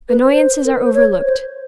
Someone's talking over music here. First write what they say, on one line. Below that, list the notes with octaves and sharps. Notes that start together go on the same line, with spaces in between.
Annoyances are overlooked.
B4
C5
A#4
B4
C5
C#5
C5